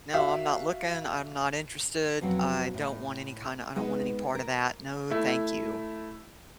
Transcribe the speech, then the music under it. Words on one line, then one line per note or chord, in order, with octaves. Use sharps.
no, I'm not looking, I'm not interested, I don't want any kinda I don't want any part of that, no, thank you.
F#4 E5 F5
F2 B2 F#3 C4
A2
G#3 B3 D#4 B4
A#4
A3 E4